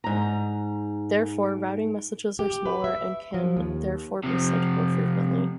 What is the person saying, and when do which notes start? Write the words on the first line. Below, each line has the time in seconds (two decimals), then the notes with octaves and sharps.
Therefore, routing messages are smaller, and can therefore be sent more frequently.
0.04 G#2 A#5
2.39 G4
2.66 B4
2.84 E5
3.34 F3
3.57 D#2
4.24 C3 F3